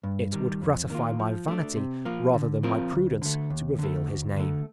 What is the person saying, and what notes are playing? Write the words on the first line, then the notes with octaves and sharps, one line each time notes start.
It would gratify my vanity rather than my prudence to reveal his name.
G2
D#3 G3
F2
D#3 A#3 F4
F3
A3 D4
C3
F3 A#3 F4
D3
F3 C4 F4 A#4
D2
D3 A3
D#2
D3 A3
D2
D3 A3